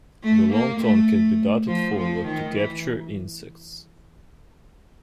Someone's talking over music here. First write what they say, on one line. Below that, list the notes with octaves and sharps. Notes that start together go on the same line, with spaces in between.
The long tongue can be darted forward to capture insects.
A3
A#3
A3
F3
F3
D#3
E3